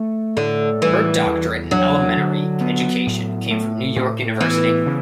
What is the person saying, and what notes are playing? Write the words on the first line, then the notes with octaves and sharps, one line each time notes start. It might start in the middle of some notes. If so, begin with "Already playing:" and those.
Her doctorate in elementary education came from New York University.
Already playing: A3
A2 D3
E3 G3
E2
F#3 D4
D3
B3
A2
A3
A2
E3 B3
C#3